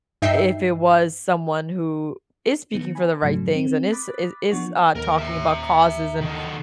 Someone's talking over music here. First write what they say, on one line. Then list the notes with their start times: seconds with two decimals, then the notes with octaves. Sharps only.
if it was someone who is speaking for the right things, and is is is, uh, talking about causes and
0.22 G2 D#4 E5 G5 C7
2.72 D#3 B3 C#7
2.95 G#5 B5
3.22 F2 G#2 C#3 F#3 A3
3.55 C4
3.91 B5 D6 D#6 F#6 A6 B6
4.52 F3 B3 D4 F#5 C#6
4.95 D#2 A#4
5.18 E5 A#5
6.21 D3 D#3